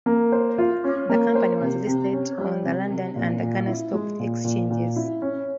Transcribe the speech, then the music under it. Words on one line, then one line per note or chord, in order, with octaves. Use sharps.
The company was listed on the London and Ghana stock exchanges.
A#3
C5
F4
C#4
A#3
C5
C3
C3
C#4
G3
C3
C3
A#2
A#2
E4
G#3
A#2
A#2
A#2
E4
C#4